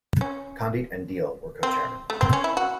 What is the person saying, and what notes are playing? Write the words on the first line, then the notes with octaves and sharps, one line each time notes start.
Condit and Deal were co-chairmen.
C#4
C4
A3
C4
C#4
E4
F#4